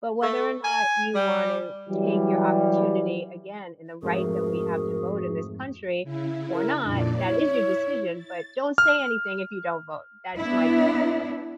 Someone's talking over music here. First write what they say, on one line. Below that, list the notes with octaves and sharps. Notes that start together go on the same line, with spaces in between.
but whether or not you wanna take your opportunity again in the right that we have to vote in this country or not, that is your decision, but don't say anything if you don't vote, that's my thoughts.
A3
G#5
G3
E3 F#3 G3
F2 G#2 F3 A3 F#4 G#4 A#4
C#3 E4
A#4
F2 A#2 D4 D5
E4 C#5
A6
F6
B3 D4 E4